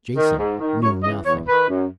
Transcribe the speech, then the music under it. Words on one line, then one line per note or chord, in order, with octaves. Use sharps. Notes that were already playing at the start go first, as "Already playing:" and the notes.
Jason knew nothing.
D#3
G#2
D#3
F#2 C#5
C#3 E3 D#5
E2 C#5
D#3 B4
F#2